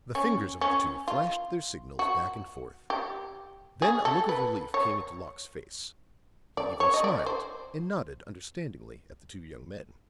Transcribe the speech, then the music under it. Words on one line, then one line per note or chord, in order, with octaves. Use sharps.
The fingers of the two flashed their signals back and forth; then a look of relief came into Locke's face; he even smiled, and nodded understandingly at the two young men.
C#4
C#4
F4
F#4
G4
G#4
A4
B4
C#5
D5
C#5
D#5
D5
C5